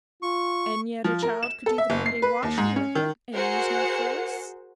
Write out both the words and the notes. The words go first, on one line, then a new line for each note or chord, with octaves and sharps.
"And yet a child could do the Monday washing with it and use no force."
F4 C#6
F3
A#4
E7
A4
E5
F#1
C7
B4
D#2
G#2
C#4
D#3
F#4 G#4 A#4 C5 F#5 C#7